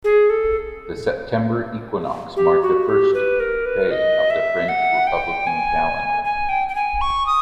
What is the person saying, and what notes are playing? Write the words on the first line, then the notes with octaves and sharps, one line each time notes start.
The September equinox marked the first day of the French Republican Calendar.
G#4
A4
G4
F#4
G4
B4
A#4
B4
D#5
E5
F#5
G5
G#5
G#5
G5
G5
G#5
C#6
D#6